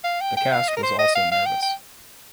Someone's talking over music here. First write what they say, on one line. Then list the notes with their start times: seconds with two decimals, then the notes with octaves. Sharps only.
The cast was also nervous.
0.04 F5
0.21 G5
0.37 G5
0.52 F5
0.69 D#5
0.77 A#4
0.83 C5
0.99 D#5
1.16 F5
1.31 F5
1.46 G5
1.62 G5